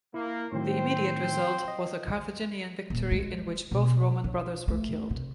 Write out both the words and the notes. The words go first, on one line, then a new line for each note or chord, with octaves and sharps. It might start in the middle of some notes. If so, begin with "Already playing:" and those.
The immediate result was a Carthaginian victory in which both Roman brothers were killed.
A#3 E4
A2 D#3 F#3 C4 C5
D#5
D#1
G#3
B2
D4
A3
C3